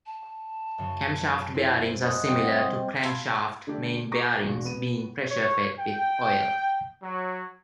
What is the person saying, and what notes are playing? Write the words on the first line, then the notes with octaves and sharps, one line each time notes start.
Camshaft bearings are similar to crankshaft main bearings, being pressure-fed with oil.
A5
F#2 C#3
C4 E4 G#4
A3 C5 D#5 F#5 G#5 D#6
G3 G#3 C4
F5 A5 B5 C6 E6 G#6
D3 A3 D4 G4
A#5 C#6 D6 A#6
E1 A#1 F#4
B3 D#7
C#5
G5
F#3